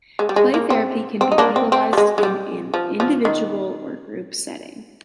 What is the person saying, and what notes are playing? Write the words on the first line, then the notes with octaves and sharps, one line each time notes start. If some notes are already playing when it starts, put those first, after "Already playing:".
Play therapy can be utilized in an individual or group setting.
G#3
G3
G#3
A#3
C4
C4
D#4
A#3 D4
C4
C4
G3
G#3
G#3
G3
F3
F3
D#3